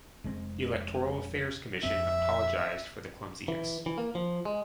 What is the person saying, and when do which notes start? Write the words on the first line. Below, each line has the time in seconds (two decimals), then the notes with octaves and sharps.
The Electoral Affairs Commission apologised for the clumsiness.
0.24 F1 G#3 C4
1.83 F2 C4 E5
3.48 E3
3.86 E3
3.98 A#3
4.15 F3
4.45 G#3